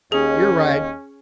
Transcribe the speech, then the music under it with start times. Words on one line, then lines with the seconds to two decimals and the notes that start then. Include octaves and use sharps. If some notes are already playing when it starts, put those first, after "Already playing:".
You're right.
0.12 D#2 C#4 G4 G#4 D#5